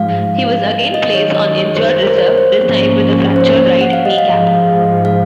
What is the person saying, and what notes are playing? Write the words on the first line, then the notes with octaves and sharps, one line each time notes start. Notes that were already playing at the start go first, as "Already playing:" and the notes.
He was again placed on injured reserve, this time with a fractured right kneecap.
Already playing: G#2 F3 G#3 F5
F#2 D#3 G#3 D#5
C#5
D#5
C#5
C5
A#4
C5
C#5
C5
G#2 F3 A#3 C#4 C5
C5
C#5
F#5
F5
D#5
G#2 F3 G#3 F5
F5